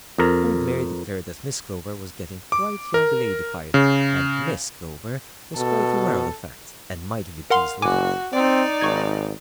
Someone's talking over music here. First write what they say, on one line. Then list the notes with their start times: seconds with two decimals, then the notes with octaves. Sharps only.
Old Mary declared that Miss Clover was getting quite young-ladyfied, and "Miss Clover" was quite aware of the fact, and mightily pleased with it.
0.18 F2 A#4
2.52 D6
2.94 A#4
3.74 C#3
5.57 B2 A4
7.50 A#4 F5 F#5 C6
7.82 F#1 F#4 G#5 D6
8.33 C4 D#4 D5
8.81 G#1 C#6 G#6